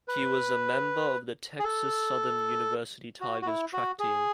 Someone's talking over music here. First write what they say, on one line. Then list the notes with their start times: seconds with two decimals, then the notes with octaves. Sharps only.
He was a member of the Texas Southern University Tigers track team.
0.08 B4
1.59 G#4
1.64 A4
3.21 F#4
3.42 F#4
3.47 E4
3.73 F#4
3.99 G#4